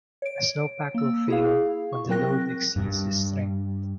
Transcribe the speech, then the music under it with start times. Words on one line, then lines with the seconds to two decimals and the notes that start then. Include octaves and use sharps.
A snowpack will fail when the load exceeds the strength.
0.22 C#5 D7
0.94 A#3 E6
1.28 E4 G#4 F5
1.93 C#6
2.09 F#3 C4 A#4 G5 F#6 A#6
2.76 G2